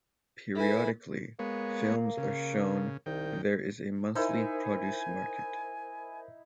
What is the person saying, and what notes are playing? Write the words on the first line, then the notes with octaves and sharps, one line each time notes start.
Periodically films are shown and there is a monthly produce market.
E4 A4 B4 G#5
G#3 A#3 B3 C#5
C#3
C2 D#3 G5
D#4 E4 A#4 C5 G#5